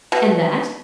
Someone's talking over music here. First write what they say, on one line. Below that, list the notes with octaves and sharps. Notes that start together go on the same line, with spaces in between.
"And that?"
B2